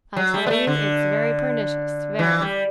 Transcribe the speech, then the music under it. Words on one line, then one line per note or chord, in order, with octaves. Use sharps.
I tell you it's very pernicious--very!
F#3
G3
B3
A3
D3
E3
G3